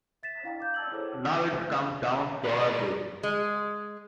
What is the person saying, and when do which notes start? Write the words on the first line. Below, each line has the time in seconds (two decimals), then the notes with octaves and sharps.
Now it comes down to dollar bills.
0.23 E5 A6 B6 E7
0.44 D4 E4 F5 G5 A#5 A6
0.60 D6 G6
0.74 A5 A#5 E6 G#6 F#7
0.91 E4 G#4 A4 C5 C#5 D6
1.13 A5
2.45 G#4 A#4 B4 D5
3.23 G#3